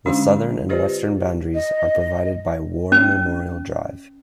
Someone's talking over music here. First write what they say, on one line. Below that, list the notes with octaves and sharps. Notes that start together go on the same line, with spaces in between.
The southern and western boundaries are provided by War Memorial Drive.
D3 G#3 C#4 D4 F#4
F4 G4 B4 C5 D5 D#5
D#5
C#4